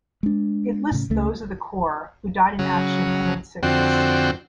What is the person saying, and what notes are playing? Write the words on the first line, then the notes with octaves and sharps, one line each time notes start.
It lists those of the Corps who died in action and in sickness.
G#3 D4
A2 C#3
C#2 C#3 A3
C#3 F#3
F2 D3 C4 F#4 G5